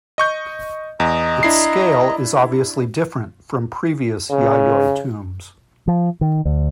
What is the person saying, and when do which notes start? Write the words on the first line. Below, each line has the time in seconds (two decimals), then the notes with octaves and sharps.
Its scale is obviously different from previous Yayoi tombs.
0.18 D#5 C#6 G6
1.00 E2 D#5 A#5
1.43 D4 E4 C7
4.31 C#3
5.88 F3
6.21 D#3
6.45 D2